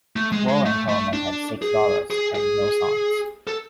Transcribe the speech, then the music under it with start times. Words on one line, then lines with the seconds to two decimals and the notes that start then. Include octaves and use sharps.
William Hillman had six daughters and no sons.
0.16 A3
0.32 G#3
0.48 G#3
0.65 A3
0.89 A3
1.13 D4
1.62 G#4
2.10 G#4
2.35 G#4
3.47 A4